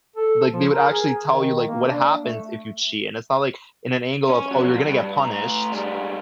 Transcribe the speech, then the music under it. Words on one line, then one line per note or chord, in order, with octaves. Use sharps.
like, they would actually tell you, like, what happens if you cheat, and it's not, like, in an angle of, "Oh, you're gonna get punished,"
A4
F3
A#4
G#4
D#3
A#3
D4
A3
C#4
F2 F#3
G2
A2 A#5
G#2 G3